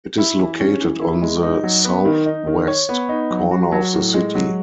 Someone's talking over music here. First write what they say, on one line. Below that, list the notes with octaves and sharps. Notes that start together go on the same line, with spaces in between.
It is located on the southwest corner of the city.
E4
E3
C#4
E3
E4
G#3
D#4
F#3
B3
D#3
D#4
D#3
C#5
B3
D#4
F#3
F#4
F#3
A2
G#3
F#3